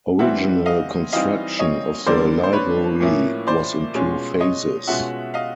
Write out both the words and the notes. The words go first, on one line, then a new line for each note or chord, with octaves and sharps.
Original construction of the library was in two phases.
E3 G3 C4 E4 E5 F#5
D#5 F5
E3 G3 C4 D#4 D#5 F5
C#5 D#5
D3 G3 A#3 C5 D5
C5
B4 C#5
A2 F3 A#3 C#4 E4
C5 D5
B2 G#3 C#4 F4
C#5 D#5
B2 G#3 C#4 F4 E5 F#5
D#5 F5